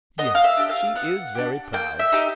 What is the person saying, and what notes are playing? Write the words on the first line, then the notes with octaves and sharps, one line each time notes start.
"Yes, she is very proud."
B3 D#5
F5
E5
D4 G4
F5
B3 F#5
D4 G4
A#3 G5
E5
D#4 G4